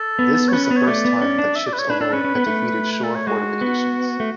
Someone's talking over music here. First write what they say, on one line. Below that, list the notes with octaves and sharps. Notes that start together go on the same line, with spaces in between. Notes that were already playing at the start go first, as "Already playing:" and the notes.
This was the first time that ships alone had defeated shore fortifications.
Already playing: A4
B3
C#5
C#4 B4
B4
B3
C#5
A3 D5
B3
C#4
D4
E5
D5
B4
C#5
D4 B4
D4 A4
C#4 B4
C#4
B3
A3
B4
A4
C#5
G#3 F#4
B3
A3